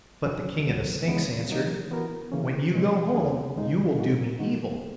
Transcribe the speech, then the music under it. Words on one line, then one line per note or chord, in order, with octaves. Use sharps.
But the King of the Snakes answered, 'When you go home, you will do me evil!'
D#2 D#3 F#3 C#4
C#2 B2 F#3
D#2 C#3 E3 G#3 B3
F#3 A#3 D#4
E3 B3 F#4 A#4
C#3 E3 A#3 C#4
B2 G#3 C#4
E2 D#3 A#3 C#4 G#4
D#2 C#3 G#3 D#4
F#3 A#3 D#4 F#4
B2 G#3 D#4 F#4